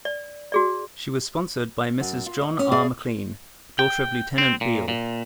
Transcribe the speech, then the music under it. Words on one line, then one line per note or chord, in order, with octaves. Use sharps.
She was sponsored by Mrs. John R. McLean, daughter of Lieutenant Beale.
D5
F#4 G#4 D5
F#2
F4
D#5
C#4
G#4 D5 E5 F5
G5
C4
A#2
A#2